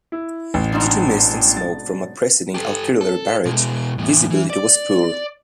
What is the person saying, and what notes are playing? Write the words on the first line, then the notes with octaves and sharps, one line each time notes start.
Due to mist and smoke from a preceding artillery barrage, visibility was poor.
E4
A1
G#2 B2 D4
A6
G4 A4
A4
B2 G#3
E2 A2
E3
D5